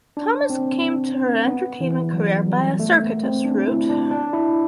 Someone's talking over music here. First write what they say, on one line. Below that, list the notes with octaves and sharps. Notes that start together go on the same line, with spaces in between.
Thomas came to her entertainment career by a circuitous route.
D4
C4
B3
E3
F#3
G3
A3
B3
C4
D4
E4
D4
D4
E4